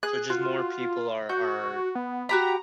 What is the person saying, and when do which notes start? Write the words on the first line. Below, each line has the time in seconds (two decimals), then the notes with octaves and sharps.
So just more people are are
0.03 G#4 F#6
0.30 F4 F#4
1.29 F#4 G6
1.95 B3
2.29 F#4 G4 A#5 B5